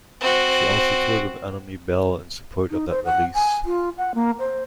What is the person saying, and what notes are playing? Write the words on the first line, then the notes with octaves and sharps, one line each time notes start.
She also toured with Anomie Belle in support of that release.
C4 F#4
D#4
C5
F#5
G#5
F4
F#5
A#3
C5